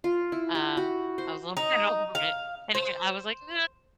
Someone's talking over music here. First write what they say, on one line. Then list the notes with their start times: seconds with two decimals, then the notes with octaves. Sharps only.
um, I was a little scared of it and, again, I was, like, "No"
0.04 F4
0.32 E4
0.55 G4
0.77 F#4
1.18 C5
1.57 D#4
2.15 F5
2.75 C5